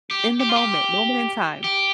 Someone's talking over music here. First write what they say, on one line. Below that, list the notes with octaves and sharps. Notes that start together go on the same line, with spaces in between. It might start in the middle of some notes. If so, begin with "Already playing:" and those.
In the moment, moment in time.
G4
G4
F4
G4
G4